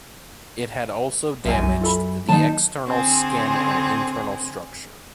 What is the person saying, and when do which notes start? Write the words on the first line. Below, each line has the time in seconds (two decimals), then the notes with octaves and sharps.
It had also damaged the external skin and internal structure.
1.45 C2 F#2 A#4 G#5
1.60 C2
1.81 F4 A4 B5
2.29 D#3 F#3 A#3 D#4 A5
2.86 D3 C4 G#4